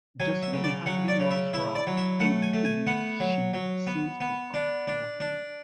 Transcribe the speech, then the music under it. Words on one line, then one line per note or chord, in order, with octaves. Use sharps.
Jocelyn hardly loves Ralph - indeed, she seems to abhor him.
F#3 G#5
E5
C#3
D5
F#3 F#5
D5
C#3
E5
E4 E5
D5
F#3
E5
A3 F#5
G#5
A3
G#5
B3 F#5
F#3
F#3
B3
B3
D4
D4
D4